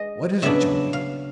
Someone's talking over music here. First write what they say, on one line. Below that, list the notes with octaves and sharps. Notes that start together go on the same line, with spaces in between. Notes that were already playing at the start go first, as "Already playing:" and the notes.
"What is it, Chunky?"
Already playing: G#3 D#5
C#3 F#3 B3 D4 E5
F5